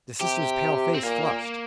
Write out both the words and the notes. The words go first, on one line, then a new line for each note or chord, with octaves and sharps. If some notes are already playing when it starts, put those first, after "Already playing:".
The sister's pale face flushed.
C3 G4
C4
A#2 A#3